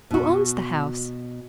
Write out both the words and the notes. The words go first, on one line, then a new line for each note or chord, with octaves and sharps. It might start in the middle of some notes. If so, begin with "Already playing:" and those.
"Who owns the house?"
B2 F#4